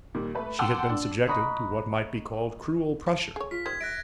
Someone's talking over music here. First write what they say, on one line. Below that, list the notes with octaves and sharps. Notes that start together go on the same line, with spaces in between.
She had been subjected to what might be called cruel pressure.
A#2 D#3 G3
A3 B4
F#5 G5 A5 C6 D6 E6
D4
D#5 A#5 B5 C#6 D#6 F#6
A5
G#4 C#5
F4 B6
D#3 G3 C5 G#6
E5 F#6 A#6 D7